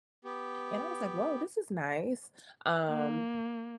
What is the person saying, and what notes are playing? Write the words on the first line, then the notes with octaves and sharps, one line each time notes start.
and I was like, "Woah, this is nice." Um,
B3 G4
A#3